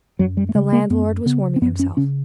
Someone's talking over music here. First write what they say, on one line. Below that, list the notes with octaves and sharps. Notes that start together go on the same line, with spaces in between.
The landlord was warming himself.
F#2 F#3
G3
A3
C#3 G#3
A#3
F#2 B3
C#3 B3
C4
F#2 B3
C#4
C#3 C#4